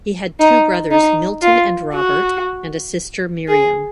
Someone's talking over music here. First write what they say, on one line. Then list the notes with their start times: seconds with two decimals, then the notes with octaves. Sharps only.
He had two brothers, Milton and Robert, and a sister, Miriam.
0.40 D#4
0.91 D#4
1.42 F4
1.94 F#4
3.48 G#4